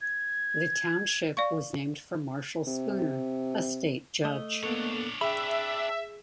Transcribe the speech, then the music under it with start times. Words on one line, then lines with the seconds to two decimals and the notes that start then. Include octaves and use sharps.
The township was named for Marshall Spooner, a state judge.
0.01 G#6
1.37 D5 F5 C#6
2.67 C3
4.25 A3 D#5
4.63 A#3 B3 D4 A4 C#5
5.21 G#4 E5 G5 B5